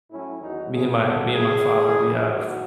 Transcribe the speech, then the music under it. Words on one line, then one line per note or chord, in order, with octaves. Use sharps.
me and my me and my father, we have
A2 F#3 C#4 E4
E2 D#3 F#3 D#4 F#4
F#2 C#3 F#3 E4 G#4
E2 B2 F#3 F#4 A4
A2 E3 E4 G#4
A2 E3
E2 C#3 E3
F#2 D#3 F#3 D#4 F#4